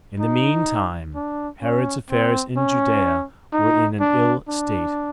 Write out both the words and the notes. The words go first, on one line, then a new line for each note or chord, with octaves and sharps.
In the mean time, Herod's affairs in Judea were in an ill state.
D#4
D4
C#4
C4
C#4
D#4
D4
D4